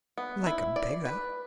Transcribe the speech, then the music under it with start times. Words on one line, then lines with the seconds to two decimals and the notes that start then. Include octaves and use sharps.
"Like a beggar."
0.18 B3
0.46 E4
0.76 D5
1.05 B4